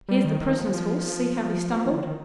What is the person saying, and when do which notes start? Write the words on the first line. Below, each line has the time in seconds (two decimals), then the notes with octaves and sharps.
Here's the prisoner's horse, see how he stumbled?
0.08 G3
0.25 D#3
0.41 D#3
0.57 F3
0.73 F3
1.85 D#3
1.96 D3
2.01 D#3